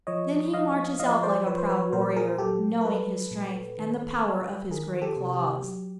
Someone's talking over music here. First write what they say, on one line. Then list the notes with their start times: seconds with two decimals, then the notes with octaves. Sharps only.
Then he marches out like a proud warrior, knowing his strength, and the power of his great claws.
0.07 F3 C#5 D#5
0.53 F3 D#5 F5
0.99 F3 D#5 F5
1.23 C5 D5
1.46 F3 B4 C#5
1.58 C5
1.69 B4 C#5
1.92 A#2 A#4 C5
2.16 G#4 A#4
2.38 F#3 G4 A4
2.81 A#4
2.85 F#3 A4 B4
3.31 A#2
3.78 D#3
4.24 G3
4.70 D#3 G#4 A#4
5.02 G4 A4
5.17 C3
5.33 G4
5.63 F#3